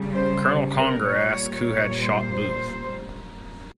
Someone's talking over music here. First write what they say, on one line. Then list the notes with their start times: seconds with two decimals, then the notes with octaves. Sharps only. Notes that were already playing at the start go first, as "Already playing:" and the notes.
Colonel Conger asked who had shot Booth.
Already playing: C#3 G3
0.12 C5
0.75 A#4
1.06 A#2 G3 C#5
1.55 C#5
2.02 C5